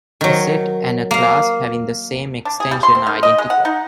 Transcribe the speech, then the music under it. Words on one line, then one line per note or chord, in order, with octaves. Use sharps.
A set and a class having the same extension are identical.
D#3 F#3
A#3 F5
D4
G#4
G3
C6
C4
D#3
D#5
G#3
F#5
D#4